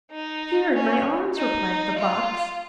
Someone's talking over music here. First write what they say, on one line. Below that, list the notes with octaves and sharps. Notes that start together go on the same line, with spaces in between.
'Here, in my arms,' replied the fox.
D#4
C#4
D#4
F4